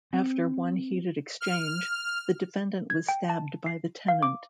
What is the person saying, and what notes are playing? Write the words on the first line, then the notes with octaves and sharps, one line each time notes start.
After one heated exchange, the defendant was stabbed by the tenant.
C4
F6
G#6
G5
A5
C7
F5
D6